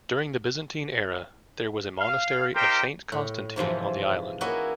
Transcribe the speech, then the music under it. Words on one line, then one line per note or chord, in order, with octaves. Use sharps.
During the Byzantine era, there was a monastery of Saint Constantine on the island.
F5
D#4 G4 A#4 C5 F5 G5
A2
G#2 C3 E3 F3
A#3 B3 C#4 E4 F#4 D#5